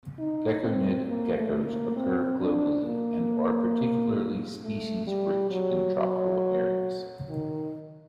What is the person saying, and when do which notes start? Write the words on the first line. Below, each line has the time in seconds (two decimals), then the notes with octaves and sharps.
Gekkonid geckos occur globally and are particularly species-rich in tropical areas.
0.19 D#4
0.63 C4
1.07 A#3
1.36 A3
1.66 A#3
1.96 C4
2.40 D4
2.85 A#3
4.62 A3
5.07 G3
5.51 F#3
5.96 F#3
7.29 D#3